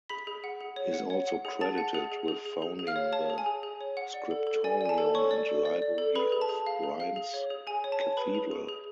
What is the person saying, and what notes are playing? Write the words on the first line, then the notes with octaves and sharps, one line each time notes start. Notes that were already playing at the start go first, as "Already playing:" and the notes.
He is also credited with founding the scriptorium and library of Reims Cathedral.
G#4 B5 B6
G#4
F#5
G#4
C#5
F#5
C#5
F#5
G#4
G#4 A5 A6
F#5
G#4
G#4
G#4
G#4
G#4
G#4
F5 F6
C#5
C#5 A5
G#4
G#5
G#4
G#4
C#5
F#5
D5
A4
A4
D5 G#5
D5 G#5
A5
A4
A4 C#5 C#6
D5
A4
D5
D5
A4
G#4 B4 B5
G#4
A5
G#4
F5
G#4
F5
G#4
C#5
G#4
G#4 G#5
C#5
A5
C#5
G#4 B4 B5
G#4
G#4
G#4